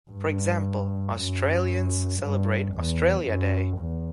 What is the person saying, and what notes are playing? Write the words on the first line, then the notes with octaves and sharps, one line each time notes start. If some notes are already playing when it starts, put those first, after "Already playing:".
For example, Australians celebrate Australia Day.
G2
F#2
G2
E2
F#2
E2